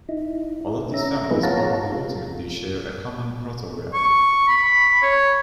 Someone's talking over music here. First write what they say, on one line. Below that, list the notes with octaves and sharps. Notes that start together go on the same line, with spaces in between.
All of these families probably ultimately share a common protograph.
D#4 E4
C#4 E5 A#5
F3 A#3 B3 D#4 G#4 B4
F4 C#5 F5 F#5 A5 A#5
F4
C#6
B5
C#5